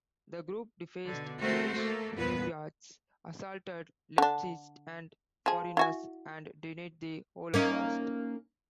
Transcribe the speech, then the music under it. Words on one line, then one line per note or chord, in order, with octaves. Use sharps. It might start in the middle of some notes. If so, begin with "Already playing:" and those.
The group defaced Jewish graveyards, assaulted leftists and foreigners, and denied the Holocaust.
B2 D3
A3 C4 F#4 A#4 C5
A3 A#3 A4
E2 G2 A#2 B3 B4
D3 D4
F3 G#4
E4 F#4 G#5
A#3 C#4 D#4